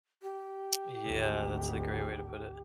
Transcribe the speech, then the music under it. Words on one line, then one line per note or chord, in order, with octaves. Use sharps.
Yeah, that's a great way to put it.
G4
G#1 D2